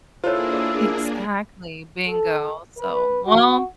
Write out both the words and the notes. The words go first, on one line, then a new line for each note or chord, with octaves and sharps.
Exactly, bingo, so, well,
A#3 D4 E4 F4 G#4 A4 C5 C#5
A4
B4
F#4